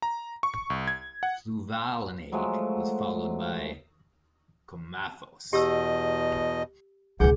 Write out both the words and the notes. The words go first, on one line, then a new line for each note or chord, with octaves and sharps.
Fluvalinate was followed by coumaphos.
A#5
C#6
C2
G#6
F#5
F3 F#3 G#3 A3
E2 B2 G4 D#5 E6
C#2 C3 E3 D4 G#4 F#5 G6